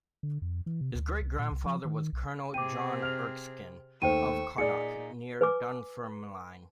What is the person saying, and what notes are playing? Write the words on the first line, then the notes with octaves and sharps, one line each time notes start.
His great-grandfather was Colonel John Erskine of Carnock, near Dunfermline.
D3
F2
E3
C3
D2
C2
A#2
C2
F3
D#3
B1
C3 C4 G#4 G5 D6 D#7
F6 F7
D#2 A3 C5 G5 C#6 E6 D#7
A#2 D#4 G#4 D5 C#7
B4 G#5 D6